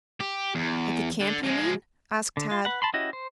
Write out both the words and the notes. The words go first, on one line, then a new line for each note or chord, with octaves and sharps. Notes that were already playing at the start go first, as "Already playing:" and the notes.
"At the camp, you mean?" asked Tad.
G4
E2
D3
F3 G#3
D3
F4
B4 F#5
A5 B5 C6
C#4 E4 F#4 G4 D#5
C5